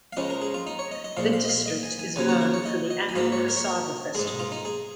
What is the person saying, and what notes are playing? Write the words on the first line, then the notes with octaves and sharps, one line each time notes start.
The district is known for the annual Cassava Festival.
F5
C#2 C#3 F3 G#3 D#5
A#4
G#4
F4
D#4
C#5
D#5
D#5
A#2 F3 G#3 F5
F5
D#5
F5
D#5
G#5
G#5
D#2 C#3 F3 A#3 G#5
C#5
A#4
C#5
D#5
D#5
G#5
G#2 F3 A#3 F5
C#5
A#4
C#5
A#4
G#2 G#3 G#4
G#4
F4
D#4
G#4